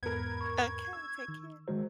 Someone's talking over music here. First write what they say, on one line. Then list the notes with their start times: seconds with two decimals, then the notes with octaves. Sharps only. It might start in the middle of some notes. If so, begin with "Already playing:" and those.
Okay, take care.
0.03 E2 G#2 B3 A#4 B5 G#6
0.41 C#6
0.93 E6
1.28 D#3
1.68 D#3 F#3 G#3 C5